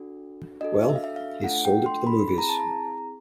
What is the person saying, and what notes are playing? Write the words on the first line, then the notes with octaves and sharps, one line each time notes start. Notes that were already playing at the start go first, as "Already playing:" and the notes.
Well, he sold it to the movies.
Already playing: D4 F#4 A4
D4 F#4 A4 D#5
E5
F5
E5
F5
A3 D4 F4 A4 F#5
G5
C6
B5
C4 E4 G#4 B5
A#5
A5
A#5